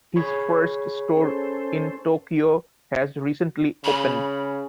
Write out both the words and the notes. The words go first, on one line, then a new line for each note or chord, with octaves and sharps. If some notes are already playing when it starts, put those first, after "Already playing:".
His first store in Tokyo has recently opened.
G#4 C#5 B5
C#4 A4 C5
C#3 B5